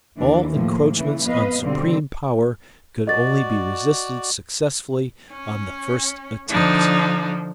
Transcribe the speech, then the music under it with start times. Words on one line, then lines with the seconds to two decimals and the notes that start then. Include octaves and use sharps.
All encroachments on supreme power could only be resisted successfully on the first attempt.
0.17 D#2 E3 D4
0.51 A2 F3 A3 A#3
0.95 C#3 E3
1.25 F2 B3 B4 D#5 F5
1.62 B2 D3 G3 C4
3.07 F#4 D5 D#5 A6
5.32 C#4
6.49 D3 F3 D4 D#4